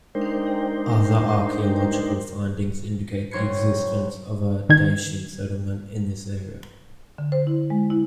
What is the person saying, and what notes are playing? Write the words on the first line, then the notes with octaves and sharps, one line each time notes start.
Other archaeological findings indicate the existence of a Dacian settlement in this area.
G#3 D4 D#4 A#4 C5 G5
F#1 C5 C#6 G#6 C7 C#7
D#3 G#6
D3
C5
E4
G#3
E4